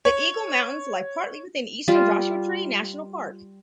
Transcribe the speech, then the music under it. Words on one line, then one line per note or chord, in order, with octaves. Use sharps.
The Eagle Mountains lie partly within eastern Joshua Tree National Park.
C#5
G3 F4